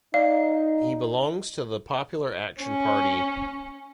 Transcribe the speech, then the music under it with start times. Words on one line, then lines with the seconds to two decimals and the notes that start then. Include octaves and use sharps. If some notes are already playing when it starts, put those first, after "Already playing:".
He belongs to the Popular Action party.
0.14 D#4 D5 F5
2.61 C#4